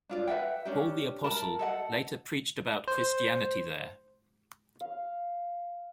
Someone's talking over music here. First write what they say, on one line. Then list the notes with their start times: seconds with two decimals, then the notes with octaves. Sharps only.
Paul the Apostle later preached about Christianity there.
0.09 D4 F4 D5
0.27 B4 E5 F#5 G5
0.65 C#4 D4 G4
1.24 A#4 A5 B5
1.59 A4 D#5 F#5
2.88 C5
4.81 F5